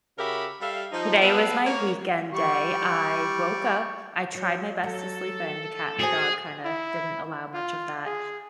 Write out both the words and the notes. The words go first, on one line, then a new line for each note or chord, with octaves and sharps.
today was my weekend day. I woke up, I tried my best to sleep in, the cat and the dog kinda, didn't allow much of that.
C#3 F#4 G4 A#4 E5 B5
G3 A4 E5 F5
F3 D#4
B3 B4 E5 F5 A5
A#3 C#5
G3 C#6
F#3
F#3 A4
F#4 G#4 C5 G#5
E4
F4
G#4